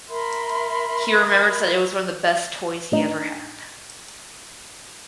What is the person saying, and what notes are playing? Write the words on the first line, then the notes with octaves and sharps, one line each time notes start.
He remembers that it was one of the best toys he ever had.
A#4 E5 B5 C6
A2 D4 D#4